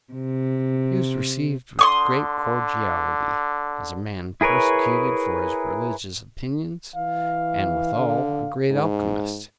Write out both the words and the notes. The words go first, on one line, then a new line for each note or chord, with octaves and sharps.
He was received with great cordiality, as a man persecuted for his religious opinions, and withal a great alchymist.
C3
D3 C6 C#6 D#6
E4 G#4 A#4 B4 C#5
E3 F5
D3
G#2